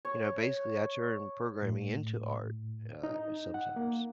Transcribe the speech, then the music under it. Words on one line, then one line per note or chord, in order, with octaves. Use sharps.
you know, basically, I turn programming into art, uh, sometimes.
C#5
A2
D#4
F#5
A#3